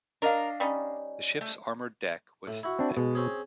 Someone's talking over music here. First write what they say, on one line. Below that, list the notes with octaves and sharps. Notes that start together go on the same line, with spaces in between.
The ship's armored deck was thick.
D4 A#4 D#5 F5
G3 C#4 D#4
A3
A2
E4 F#4
C4 D4
B2 G#3
C4 C#4 G#4